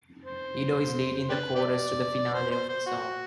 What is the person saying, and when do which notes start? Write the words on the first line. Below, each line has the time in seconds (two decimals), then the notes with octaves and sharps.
Edo is leading the chorus to the finale of the song.
0.25 C5
1.30 D4 G4 B4
1.55 G4 B4 D5
2.34 C5
2.51 C5
2.69 C5
2.86 F#4